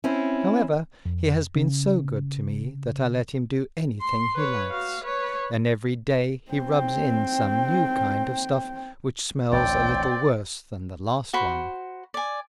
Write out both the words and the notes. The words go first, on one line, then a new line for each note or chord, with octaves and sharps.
However, he has been so good to me, that I let him do any thing he likes, and every day he rubs in some new kind of stuff, which smells a little worse than the last one.
C4 C#4 E4
F2
C#3
C6
B4 C#5
F#4 F5
B4 C#5
C4 G5
A1 D2 C4 D5 G5
F#4 C5 B5
D5 G#5